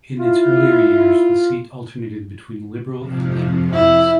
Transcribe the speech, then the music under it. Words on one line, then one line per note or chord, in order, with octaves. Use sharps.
In its earlier years the seat alternated between Liberal and Labour parties.
E4 F4
F2 C3 F3
E4